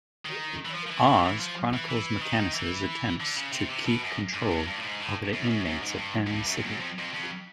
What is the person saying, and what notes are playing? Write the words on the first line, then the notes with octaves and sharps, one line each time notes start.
"Oz" chronicles McManus' attempts to keep control over the inmates of Em City.
D#3
E3
F3
F3
E3
E3
E3
F3
E3
E3
D#3
E3
D3
C#3
C3
C3
B2
F#2
G2
F2
G2
A2
G#2
A2
F#2
F#2
F#2
G#2
G2
G#2
G2
F#2
F2
F#2
F2
F2
F2